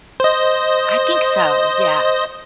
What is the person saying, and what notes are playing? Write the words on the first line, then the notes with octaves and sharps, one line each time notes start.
I think so, yeah.
C5 D#5